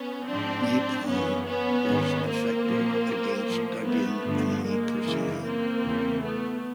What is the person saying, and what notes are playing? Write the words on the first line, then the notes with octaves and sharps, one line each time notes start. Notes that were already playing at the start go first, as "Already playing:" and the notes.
Napalm is effective against dug-in enemy personnel.
Already playing: B3 C#4
G#2 F3 C4 D4
F#2 C#3 E3 B3 C#4
B3 C#4
G#2 D#3
A#3 C4
A#2 F3
A2 F3
A3 B3
G2 D3 F3
G#3 A#3
F#2 C#3 E3
A#3 C4
E2 C#3 E3
A3 B3